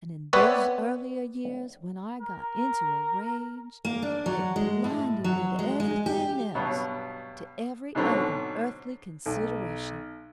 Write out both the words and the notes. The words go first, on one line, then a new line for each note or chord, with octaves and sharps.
And in those earlier years, when I got into a rage, it blinded me to everything else, to every other earthly consideration.
B3 C4 B4 C#5 D5 E5
A#4
A#3
D4
F#3
G#3
A2
F#3
G#3
G#3
G4
G2 B2 F#3
G#2 B2 D3 F#3 C4
B1